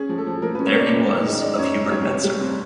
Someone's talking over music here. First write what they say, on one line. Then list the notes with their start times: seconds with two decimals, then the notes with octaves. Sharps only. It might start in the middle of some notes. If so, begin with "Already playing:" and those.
There he was of Hubert Netzer.
Already playing: C#4 G#4
0.09 F3
0.18 A4
0.26 F3
0.42 F3 A#4
0.55 C#4 B4
0.66 C#5
0.75 A#3 D5
0.92 F#2
1.08 D#3
1.25 G#3
1.41 G#3 D5
1.58 F#2 C#5
1.74 F#2
1.91 G3 C#5
2.08 C2
2.24 G3
2.41 C4